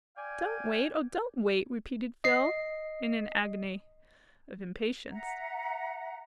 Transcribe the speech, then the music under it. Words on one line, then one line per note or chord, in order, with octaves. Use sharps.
"Don't wait, oh, don't wait!" repeated Phil, in an agony of impatience.
D5 F5 G5 G#5
D#5 C7
E5 F#5 A#5